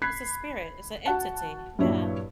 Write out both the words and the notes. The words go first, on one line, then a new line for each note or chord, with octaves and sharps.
It's a spirit. It's a entity. Yeah.
B5 F#6 G#6 B6 C7
F#4 F#5 A5
G2 A#2 F#3 D4 E4 C#5